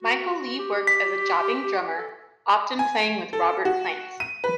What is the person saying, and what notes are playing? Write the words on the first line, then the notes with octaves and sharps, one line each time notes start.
Michael Lee worked as a jobbing drummer, often playing with Robert Plant.
F#4
G4
B6
A4
G#5
A4
F#4
D#7
B4